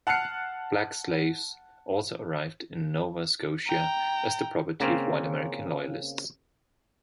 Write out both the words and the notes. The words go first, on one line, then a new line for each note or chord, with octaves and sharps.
Black slaves also arrived in Nova Scotia as the property of White American Loyalists.
F#5 A5 F6 F#6 C7 C#7
G5 A#5
C#3 A#3 C4 C#4